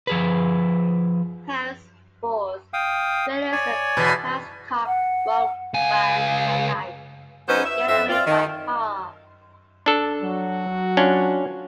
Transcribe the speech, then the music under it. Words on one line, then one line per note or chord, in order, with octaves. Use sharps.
Henceforth, Willis and Glasscock rob banks at night and get away by car.
F3 G#4 B4
F5 G5 D#6
C#5 D5 G#5
E2 B2
F#5
C#2 F5 G#5
F#3 B3 C#4 D#4 B4 C5
E5
F2 E5
C4 F4 D5
D#3
D4 A4
F#3 F#4
C#4 D4 F4